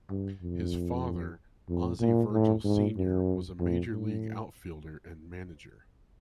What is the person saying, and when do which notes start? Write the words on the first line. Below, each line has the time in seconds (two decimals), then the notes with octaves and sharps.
His father, Ozzie Virgil Senior was a Major League outfielder and manager.
0.10 G2
0.41 F2
1.69 F2
2.00 A#2
2.32 A2
2.64 G#2
2.96 F#2
3.59 F2
3.92 A2